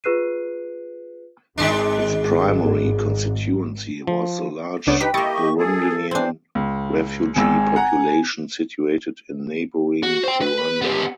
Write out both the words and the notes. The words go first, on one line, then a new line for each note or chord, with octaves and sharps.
Its primary constituency was the large Burundian refugee population situated in neighboring Rwanda.
F4 G#4 B4 F#6 C7 D#7
G#1 G#2 D#3 G#3 D4
F3
C#2 A3 B3 D4 C#5 D5
D#4 G4 B4 B6
A#3 E4 G4 D#5 C#6 A6 C#7 D7
C#6
G#4 A4
E3 C4 D4 C5
C#2
G#1 G#2 G#5 E6
F#5 A#5
F#4
C5 G5
B4
B3 G4